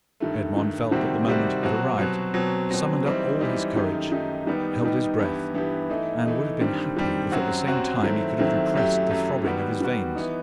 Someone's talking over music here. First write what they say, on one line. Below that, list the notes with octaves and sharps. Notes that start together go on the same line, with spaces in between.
Edmond felt that the moment had arrived, summoned up all his courage, held his breath, and would have been happy if at the same time he could have repressed the throbbing of his veins.
G2 D#3 A3
G2 D#3 A3
C3 D#3 G3 C4 F#4
C3 D#3 G3 C4 F#4
B2 F#3 C4 F#4
B2 F#3 C4 F#4
B2 F#3 C4
B2 F#3 C4
E3 G3 C4 D#4
E3 G3 C4 D#4
F#2 D#3 A3 D#4 G4
F#2 D#3 A3 D#4 G4
D#3 G3 B3 D#4
D#3 G3 B3 D#4
G2 E3 B3 E4 G4
G2 E3 B3 E4 G4
E3 A3 D#4
E3 A3 D#4
G2 D#3 G3 C4
G2 D#3 G3 C4
F#2 F#3 C4 F#4
F#2 F#3 C4 F#4
D#3 F#3 A3 C4 E4
D#3 F#3 A3 C4 E4
F#2 F#3 A3 E4 G4
F#2 F#3 A3 E4 G4
D#3 G3 B3 F#4
D#3 G3 B3 F#4
E3 B3 D#4